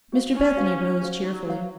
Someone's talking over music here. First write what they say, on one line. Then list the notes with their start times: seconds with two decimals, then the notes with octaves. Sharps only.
Mr Bethany rose cheerfully.
0.12 F#4 C5 F5
0.34 C#4 D#4
0.57 F#4 C5 F5
0.79 D#4
1.01 F#4 C5 F5
1.23 F#3 D#4
1.46 F#4 C5 F5